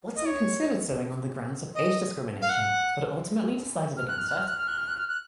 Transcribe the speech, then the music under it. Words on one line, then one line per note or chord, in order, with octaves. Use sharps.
Watson considered suing on the grounds of age discrimination but ultimately decided against it.
D#5
C#5
D#5
F5
F#5
F6
F#6
F6
F#6
F6
F#6
F6
F#6
F6
F#6
F6
F#6